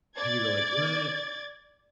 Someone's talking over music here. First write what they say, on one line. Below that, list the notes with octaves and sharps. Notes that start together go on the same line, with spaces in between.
he was all, like, "what?"
D5 G#6 A6